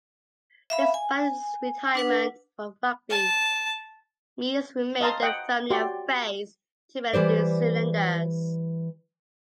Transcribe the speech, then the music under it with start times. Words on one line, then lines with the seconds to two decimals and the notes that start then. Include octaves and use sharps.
Despite his retirement from rugby, Meads remained a familiar face to many New Zealanders.
0.70 E5 F5 B5
0.94 G#5
1.95 D4 B4 F#5
3.10 A5
5.01 D#5 F5 A5 A#5 C6
5.22 D#5 F#5 G5
5.70 F#4 G4 D5 C6
7.14 E3 G3 C5 D5